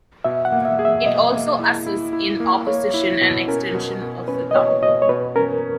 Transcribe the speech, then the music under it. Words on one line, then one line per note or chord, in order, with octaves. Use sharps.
It also assists in opposition and extension of the thumb.
B2 E5
F#5
A#3
E5
G#4
E5
B2 D#5
A#3
E4
E4
E4
A#3
A#3 C#5
E4
B2
C#4 A#4
B2
B2
C#4 B4
D#5
B2 C#5
B2 D#5
C#5
B2 B4
C#4 A#4